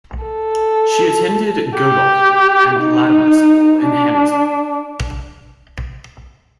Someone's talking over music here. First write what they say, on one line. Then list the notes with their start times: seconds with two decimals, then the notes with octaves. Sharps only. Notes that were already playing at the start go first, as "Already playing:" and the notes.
She attended Godolphin and Latymer School in Hammersmith.
0.24 A4
1.79 G4
2.80 D#4
3.83 D4